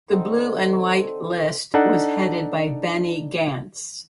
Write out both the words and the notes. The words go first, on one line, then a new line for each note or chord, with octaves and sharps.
The Blue and White list was headed by Benny Gantz.
D3 C4 D#4
D4 D#4 A4 F#5